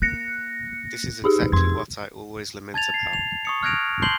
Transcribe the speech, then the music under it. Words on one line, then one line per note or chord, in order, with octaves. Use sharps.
This is exactly what I always lament about.
A#3 F#6 A#6 C#7
D#4 G4 G#4
F2 C6 G#6
A5 G#6 A6 F7
C7
F7
C#6 D#6 C#7
F6 F#6 G#6 A#6 D7 F7
A5 C6 G6 C7 F#7 G7